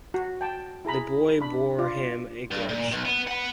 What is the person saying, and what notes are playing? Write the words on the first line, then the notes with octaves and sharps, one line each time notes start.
The boy bore him a grudge.
F#4
G5 A5
E4 G#4 A#5 B5
D4 B5
F4 D5
G2
A#2
B1
B3
F#5 B5